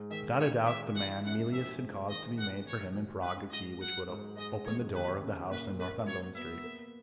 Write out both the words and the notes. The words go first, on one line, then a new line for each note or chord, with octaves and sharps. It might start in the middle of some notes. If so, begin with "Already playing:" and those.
Without a doubt the man Mealyus had caused to be made for him in Prague a key which would open the door of the house in Northumberland Street.
Already playing: G#2 G#3
D#3 E5
B2 C#5
G#3 E5
E3 F#5
F#2 F#5
A#1 E5
G#2
D#3 D#5
D#3 F#5
D#2 C#5
F#3
C#4 B4
G#2 D#5
F#3 F#5
G#2
G#3 D#5
E2 C#5
D#2 B4
C#3
A#2 B4
A#3 B4
F#3 C#5
B3 E5
A#3